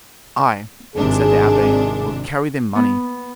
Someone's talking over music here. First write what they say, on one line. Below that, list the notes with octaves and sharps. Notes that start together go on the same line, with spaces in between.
"I," said the abbe, "will carry the money."
G#1 C3 D4 G#4
B3